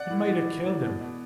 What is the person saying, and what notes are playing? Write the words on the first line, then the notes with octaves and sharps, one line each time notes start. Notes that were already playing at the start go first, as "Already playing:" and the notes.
It mighta killed him.
Already playing: D5 F#5
A2
E3
E3
A2
B2
B2